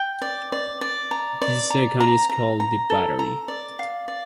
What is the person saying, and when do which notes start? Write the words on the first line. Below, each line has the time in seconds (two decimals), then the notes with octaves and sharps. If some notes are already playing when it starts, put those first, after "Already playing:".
The second is called the battery.
Already playing: G5
0.22 D5
0.52 D5
0.81 D5
1.11 A#5
1.42 D5
1.70 A#5
2.00 A#5
2.29 A#5
2.60 A#5
2.90 A4
3.19 A#5
3.48 D5
3.79 F5
4.08 D5